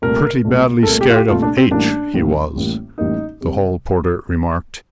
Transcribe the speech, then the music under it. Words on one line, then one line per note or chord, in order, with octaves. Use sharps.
"Pretty badly scared of H----he was!" the hall porter remarked.
C2 A#2 A3 A#4
C2 A#2 A3
A4
C2 A#2 A3 A#4
G4
F4
G4
C2 A#2 A3 F4
D4
C4
A1 A2 G3 A#3 D4
A1 A2 G3 A#3
A1 A2 G3 A#3
A1 A2 G3 A#3 D#4
C3 G3